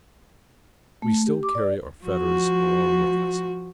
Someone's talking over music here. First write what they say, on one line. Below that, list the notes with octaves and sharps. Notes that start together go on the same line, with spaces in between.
We still carry our fetters along with us.
A3
G4
D6
D5
F3 F#4